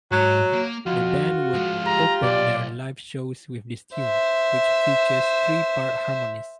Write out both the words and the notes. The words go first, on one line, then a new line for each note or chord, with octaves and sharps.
The band would open their live shows with this tune, which features three-part harmonies.
G#2 F#3
A#3
F2 F4 F#4
F3 G#3
G4 A#5
B1 D5
C5 E5